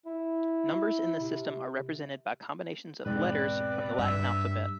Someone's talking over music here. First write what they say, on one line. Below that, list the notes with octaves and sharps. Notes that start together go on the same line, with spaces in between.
Numbers in this system are represented by combinations of letters from the Latin alphabet.
E4
C3
E2 G#2 B2 C4 B4 D5
G2 E5